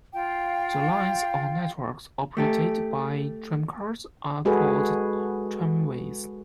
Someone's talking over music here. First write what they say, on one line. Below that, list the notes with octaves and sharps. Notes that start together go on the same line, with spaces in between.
The lines or networks operated by tramcars are called tramways.
F4 F5 G5
A3 G4 A4
G#3 F#4 G#4 A4 B4